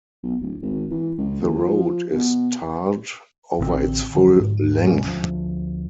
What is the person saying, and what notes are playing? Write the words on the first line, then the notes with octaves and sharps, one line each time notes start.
The road is tarred over its full length.
B1
D1
G#1
E3
C#2
D#2
F3
B2
A1 D3 G#3 C4
D3 F3
G#2
C3 F#3 G#3 C#4
D2 F3